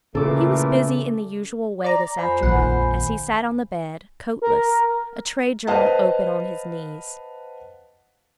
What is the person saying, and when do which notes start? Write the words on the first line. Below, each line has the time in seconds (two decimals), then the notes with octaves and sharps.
He was busy in the usual way this afternoon, as he sat on the bed, coatless, a trade journal open on his knees.
0.15 A#2 C#3 E3 A3 A4 D6
1.84 D5 A#5
2.18 F2 F4 C5 F5 G#5 B5
2.43 A#1 D#3 F#5
4.42 A#4
5.67 B4 C5 D#5 F5 F#5 A5